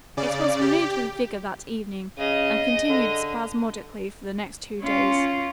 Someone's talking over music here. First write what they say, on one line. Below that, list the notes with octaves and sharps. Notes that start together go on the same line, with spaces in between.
It was renewed with vigor that evening and continued spasmodically for the next two days.
C#3 D5
G4
C#3 D#5
D3
C#4 F4